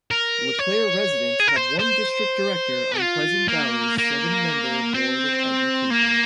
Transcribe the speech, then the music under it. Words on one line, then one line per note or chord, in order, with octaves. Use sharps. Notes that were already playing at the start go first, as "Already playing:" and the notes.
LeClaire residents have one district director on Pleasant Valley's seven-member board of education.
A#4
C#5
G#4
A#4
C5
C5
F4
A#3
A#3
C4
A#3